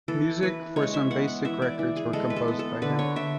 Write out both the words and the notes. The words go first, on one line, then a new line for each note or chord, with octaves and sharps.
Music for some basic records were composed by him.
E3 A4
E3 B4
G#3 C#5
E5
B3 F#5
F#5
E3 E5
D5
E3
G#4
G#3 A4
B4
A4
B3
A4
D3 B4
C#5
D3 E5